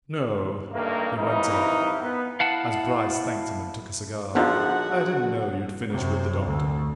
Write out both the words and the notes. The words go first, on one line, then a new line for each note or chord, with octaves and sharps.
No," he went on, as Bryce thanked him and took a cigar, "I didn't know you'd finished with the doctor.
G2 D#3 A3 A#3
C3 E3 F3 D#4 E4 A#4
B3
E4 F5 F#5 A5
A#1 D3 F3 B3 D#4 F4 F#4 F#5
F#2 C3
D2